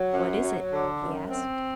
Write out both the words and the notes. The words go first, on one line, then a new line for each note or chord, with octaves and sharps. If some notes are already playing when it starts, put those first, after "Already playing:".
"What is it?" he asked.
Already playing: F#3
F#2
F#3
D3
F#2
C4